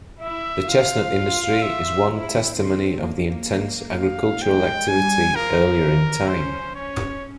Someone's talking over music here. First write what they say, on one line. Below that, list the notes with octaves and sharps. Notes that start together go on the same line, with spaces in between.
The chestnut industry is one testimony of the intense agricultural activity earlier in time.
E4 E5
F4 F5
E5
E4
C4
A#3
F5
G#3 G5
G3 G#5
F3 A#4
E3
C#4 C5
C#4 C#5